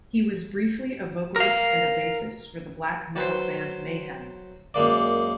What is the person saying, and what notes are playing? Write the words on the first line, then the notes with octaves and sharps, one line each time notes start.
He was briefly a vocalist and a bassist for the black metal band Mayhem.
A#4 F5
F#3 B4 C5
F#2 G#3 A#3 D5